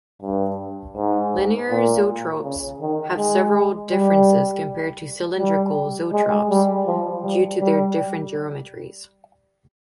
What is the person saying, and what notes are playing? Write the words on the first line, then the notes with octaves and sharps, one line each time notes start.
Linear zoetropes have several differences compared to cylindrical zoetropes due to their different geometries.
G2
G#2
A#2
C#3
D#3
G#3
G3
G3
G#3
G3
F3
G3
G3